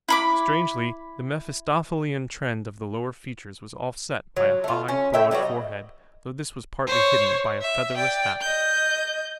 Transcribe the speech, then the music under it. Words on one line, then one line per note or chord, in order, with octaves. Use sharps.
Strangely, the mephistophelean trend of the lower features was offset by a high, broad forehead, though this was partly hidden by a featherless hat.
E4 B5 D6
F#3
A3 F4
C#4
A2 E5 G5
F#3 G3 B3 F#4
D#5
C5 C#5
E5
D5 G5
D#5 G6